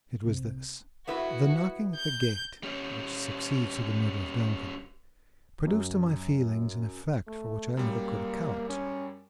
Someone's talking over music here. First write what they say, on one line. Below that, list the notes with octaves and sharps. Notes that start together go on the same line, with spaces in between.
It was this: the knocking at the gate, which succeeds to the murder of Duncan, produced to my feelings an effect for which I never could account.
C2 C3
B3 E4 F#4 B4
G6
G3 C#4
F#2
A3
F#2 G3 A#3
C#4